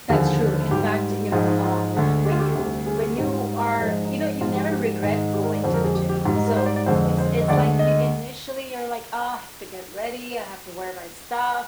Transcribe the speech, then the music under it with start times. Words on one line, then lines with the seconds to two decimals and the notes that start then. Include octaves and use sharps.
That's true, in fact, you know, um, when you when you are you know, you never regret going to the gym, so, it's it's, like, you initially you're, like, "Ugh, have to get ready, I have to wear my stuff,"
0.09 D#2 D3 F3 G#4
0.71 G#2 G3 G4
1.32 G#2 F3 G#3 F4
1.48 D#4
1.64 F4
1.94 D2 D3 G#3
2.25 G4
2.32 F4
2.39 G4
2.55 D2 C3 G3
2.86 G#4
3.02 G#4
3.17 G3 D#4
3.20 G#2
3.33 F4
3.79 G#2 F3 G#3 D#4
4.05 D#4
4.41 G#2 F3 G#3 F4
4.55 G4
4.71 G4
5.03 G#2 D#3 G#3
5.33 G4
5.43 A#4
5.53 D5
5.64 F2 D3 F3 G#3 C5
5.74 A#4
5.84 G#4
5.94 G4
6.09 G4
6.25 G#2 F4
6.28 G3
6.36 D#4
6.46 A#4
6.57 C5
6.66 D5
6.76 D5
6.86 F2 D3 G#3 C5
7.18 C5
7.41 D#5
7.48 D2 D3 G#3 D5
7.79 D#5